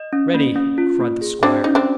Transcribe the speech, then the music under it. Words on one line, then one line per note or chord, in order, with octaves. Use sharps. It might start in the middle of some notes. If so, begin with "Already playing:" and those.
"Ready!" cried the squire.
Already playing: D#5
C#4
A#3
C#4
F4
A#3
G#4
C4 D4 F#4
C#4 D#4
C4 D4